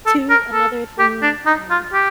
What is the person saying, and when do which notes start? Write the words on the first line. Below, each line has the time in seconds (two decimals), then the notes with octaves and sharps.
too, another thing, um,
0.06 A4
0.30 A#4
0.53 A4
0.99 G4
1.23 D4
1.46 D#4
1.71 F4
1.93 G4